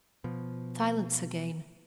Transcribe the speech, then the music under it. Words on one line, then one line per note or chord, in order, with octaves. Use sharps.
Silence again?
B2 F3